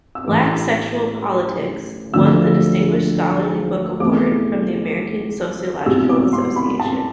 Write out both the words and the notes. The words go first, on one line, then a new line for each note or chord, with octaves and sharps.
"Black Sexual Politics" won the Distinguished Scholarly Book Award from the American Sociological Association.
E6
A1 A2 E3 A3 D6
D2 D3 F3 A3 E6
E2 C3 E3 A3 D6
C2 B2 G#3 E6
D6
C6
B5
A5